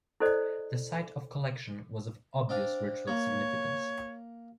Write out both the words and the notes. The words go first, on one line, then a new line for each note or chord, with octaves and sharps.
The site of collection was of obvious ritual significance.
E4 A4 C5 D5 D#5
C4 D4 F5
A#3 C#5